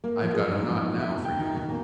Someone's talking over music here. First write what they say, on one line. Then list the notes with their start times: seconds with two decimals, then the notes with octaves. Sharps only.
"I've got a knot now for you."
0.04 A#3
0.22 F3
0.34 G#4
0.52 G#2
0.68 F3
0.81 D#4
0.98 E4
1.11 C3
1.25 G5
1.39 D#3
1.55 B2
1.69 A#2